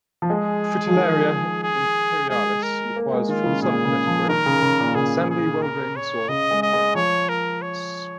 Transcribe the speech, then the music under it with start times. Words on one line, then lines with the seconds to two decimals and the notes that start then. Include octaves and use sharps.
"Fritillaria imperialis" requires full sun for best growth, and sandy, well-drained soil for permanence.
0.22 F3
0.29 G#3 G#4
0.87 F3
0.96 D#3
1.63 G#4
2.29 G#3 G#4
2.63 A#4
2.96 A#3
3.13 G#3
3.29 D#3 F4
3.46 C#3
3.62 A#2 G#4
3.85 C#3
4.07 F3
4.29 D#3 A#4
4.46 C#3
4.62 C#3
4.80 A#2
4.95 C#3 G#4
5.29 G#4
5.62 A#4
5.96 C#5
6.29 C#3 D#5
6.51 G#3
6.62 D#5
6.73 G#3
6.95 F3 C#5
7.29 A#4
7.62 C#5